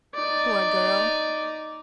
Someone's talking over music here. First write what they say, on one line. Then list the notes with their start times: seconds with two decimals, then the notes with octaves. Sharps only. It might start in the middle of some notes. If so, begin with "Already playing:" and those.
Poor girl!
0.15 D#4 D5